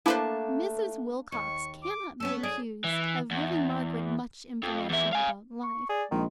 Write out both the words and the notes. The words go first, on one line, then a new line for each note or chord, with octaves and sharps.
Mrs. Wilcox cannot be accused of giving Margaret much information about life.
A3 A#3 D4 E4 B4 C5 A5
D#2 C#6
D6
B3 C#4 A4 E6
D4 G#4
E3
E2
F2
E2 E4
F5 G#5
C#6
G#4 D5
A#1 D#3 G#3